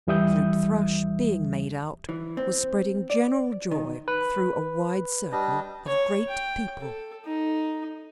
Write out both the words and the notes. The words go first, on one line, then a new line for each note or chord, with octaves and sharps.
Sloop Thrush being made out was spreading general joy through a wide circle of great people.
D#2 E3 G3 E5 D#6 G6
E3
C4
D5
D#3
B4
G3 D4 D#5
C#5
G5
A4
D#4